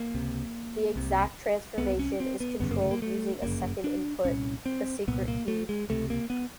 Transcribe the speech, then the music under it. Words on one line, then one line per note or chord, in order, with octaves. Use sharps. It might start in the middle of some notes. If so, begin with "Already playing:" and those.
The exact transformation is controlled using a second input - the secret key.
Already playing: A#3
C#2 C3
C2 C3
C2 C3 B3
C#4
C4
B3
G1 F#2 C#3 B3
A#3
A3
A#3
A3
G1 F#2 C#3 A#3
D4
C2 A#2 C#4
C4
C2 A#2 B3
A#3
A3
G#3
C#2 C3 A3
A#3
B3